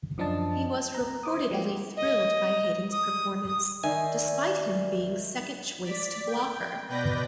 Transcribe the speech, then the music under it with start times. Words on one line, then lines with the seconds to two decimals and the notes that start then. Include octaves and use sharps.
He was reportedly thrilled by Hayden's performance, despite him being second choice to Blocker.
0.18 F#2 F3 D4 D#5 A5
0.95 A#5
1.23 C5 D6 D#6
1.51 F3 G3 G#3 A#3 F#4 G4
1.97 D#5
2.92 D#6
3.47 D#6
3.84 D#3 D5 E5 G#5
5.84 D5 B6
6.26 G5
6.89 B2 B4 D5 G6 A#6